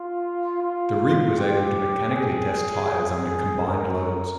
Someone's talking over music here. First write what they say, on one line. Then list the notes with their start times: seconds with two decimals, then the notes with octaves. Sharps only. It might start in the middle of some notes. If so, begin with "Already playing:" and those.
The rig was able to mechanically test tyres under combined loads.
Already playing: F4
0.62 F4
1.37 G4
2.11 G#4
2.86 G#4
3.61 A#4